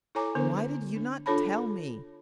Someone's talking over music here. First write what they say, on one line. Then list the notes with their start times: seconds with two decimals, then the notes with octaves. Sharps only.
"Why did you not tell me?"
0.15 E4 A4 C#5 G#5 A#5 D6
0.35 D3 B3 D4 A#4 C5
0.96 D4
1.26 D4 F4 A4 C#5 A5 B5